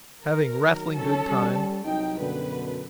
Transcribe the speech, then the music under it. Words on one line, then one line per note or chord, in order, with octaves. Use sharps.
Having rattling good time.
A#4
D#3 F#3
C#4 A4
G3
C2 F#3 D#4 G5
F#2 B2 D3 B4